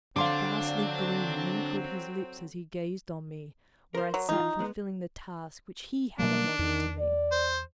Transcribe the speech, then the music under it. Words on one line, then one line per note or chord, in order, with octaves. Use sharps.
A ghastly grin wrinkled his lips as he gazed on me, where I sat fulfilling the task which he had allotted to me.
D3 F#3 C4 D4 F5 C6 D6
A#4 C5
F#3
E3 D#4 F4
G#2 G#3 B3
B2 F#3 G3 A#3 D4
E2 D#3
D5
C5